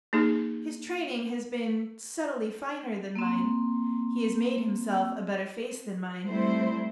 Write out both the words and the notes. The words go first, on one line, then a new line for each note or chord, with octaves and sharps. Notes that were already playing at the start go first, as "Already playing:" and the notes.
His training has been subtly finer than mine; he has made himself a better face than mine....
A#3 D#4 G#4
A#3 C4
G3 A3 C4 E4 C5